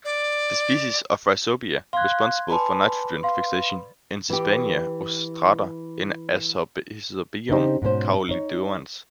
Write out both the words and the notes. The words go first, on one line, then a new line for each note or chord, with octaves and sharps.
The species of rhizobia responsible for nitrogen fixation in "Sesbania rostrata" is "Azorhizobium caulinodans".
D5
F5 C6 F#6 G#6
B4 D5 G#5 A5 B5 C6
F5 C6
E3 G4
C#3 C4 D4 D#4 G4 C5
G#2 B2 C#4 C5
D#4 C#5